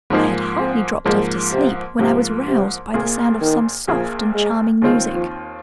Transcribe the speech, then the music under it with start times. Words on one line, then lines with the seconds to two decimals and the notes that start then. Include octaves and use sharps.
I had hardly dropped off to sleep when I was roused by the sound of some soft and charming music.
0.10 G#2 F3 A#3 D#4 G#4
0.58 C4
1.05 G#2 F3 G#3 A#3
1.53 C3
1.99 G#2 C3 F3 A#3
2.47 C3
2.94 A#1 A#2 A#3 G#4
3.41 D#3
3.87 A#1 A#2 F3 A#3 G#4
4.35 G#3
4.82 D#2 D#3 G#3 C4 F4
5.14 F3